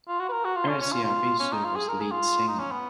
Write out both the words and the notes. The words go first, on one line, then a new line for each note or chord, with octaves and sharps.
Ersi Arvisu was lead singer.
F4
F#4
B4
A#4
F#4
F4
C#4
C#4
F4
F4
C#4
D#4
F4
G#4
A#4
G#4
F4
D#4
C#4
B3